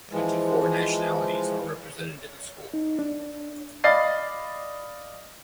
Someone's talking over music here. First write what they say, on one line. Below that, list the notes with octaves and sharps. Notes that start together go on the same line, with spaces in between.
Twenty-four nationalities are represented in the school.
E3 F3 G#3
D#4
D4
D5 D#5 F5 B5 A6 C7